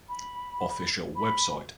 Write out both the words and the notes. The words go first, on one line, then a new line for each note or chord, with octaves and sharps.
Official Website.
B5
B5